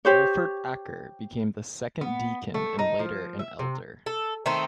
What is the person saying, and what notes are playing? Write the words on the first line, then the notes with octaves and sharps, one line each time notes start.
Wolfert Acker became the second deacon and later, an Elder.
G4 C5 C#5
B3
A3
D#4
F3
E5
C3
A4
D#3 A3 C4 D#4